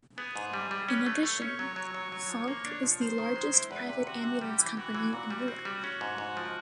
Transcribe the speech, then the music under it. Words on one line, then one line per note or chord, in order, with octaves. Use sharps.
In addition, Falck is the largest private ambulance company in Europe.
B3 G#4
G#2
G3
G3
C#4 B4
A3
A3 C#5
C#4
F#3
F#3
F#3
F#3
F3
A#3
D4
F3
D#3 C5
D#3
G#3
E4
E2 B4
C3
C3 F#4
C3
G3 G4
E3
E3 F#4
E3
A#2 F#4
G3
C4
G3
C#4
G#2
G#2
F3